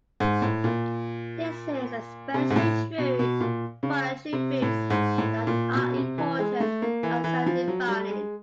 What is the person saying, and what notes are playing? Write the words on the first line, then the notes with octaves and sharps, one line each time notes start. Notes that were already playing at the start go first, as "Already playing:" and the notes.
This is especially true for attributes that are important and self-defining.
G#2
A2
A#2
C3
G#2
A2
B2
B2
A#2
C#3
C3
A2
G#2
A2
A#2
B2
C3
E3
G#3
A3
A#3
E3
E3
F3
F#3
G3
G#3